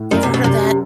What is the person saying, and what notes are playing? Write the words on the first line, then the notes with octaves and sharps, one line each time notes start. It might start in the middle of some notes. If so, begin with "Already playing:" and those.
you ever heard of that
Already playing: A2
F#2 D#3
C3
B2
F#2 C3